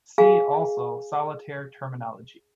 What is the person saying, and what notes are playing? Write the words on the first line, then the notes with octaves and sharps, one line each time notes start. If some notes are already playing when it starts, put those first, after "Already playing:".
See also solitaire terminology.
G#4 F5 G#5